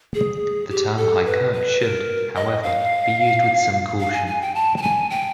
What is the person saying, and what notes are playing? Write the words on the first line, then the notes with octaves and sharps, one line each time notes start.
The term High Kirk should, however, be used with some caution.
G#4
G4
A4
B4
B4
A#4
D#5
F5
F5
G#5
G#5
G5
A5
A5
G#5
G5